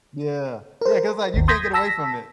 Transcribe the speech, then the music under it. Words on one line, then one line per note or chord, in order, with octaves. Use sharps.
Yeah. Yeah, 'cause, like, you can't get away from it,
A#4 C5
G#1 D#2
C6 D#6 G6 G#6 A#6 B6
A5 E6 A#6 B6